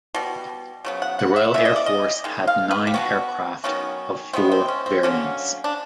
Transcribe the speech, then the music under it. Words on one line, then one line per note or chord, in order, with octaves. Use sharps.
The Royal Air Force had nine aircraft of four variants.
B2 G3
C#3 F#3 B3
F#5
F#5
E5
C#3 E3 B3 E5
D#5
D5
D#5
D#3 G#3
F5
B4
G4
B2 G#3 B3 F#4
D#3 F#3 B3 C#4
C3 D#3 G#3 B3 C4
C4
C#4
C4
D3 F#3 A#3 C#4
D4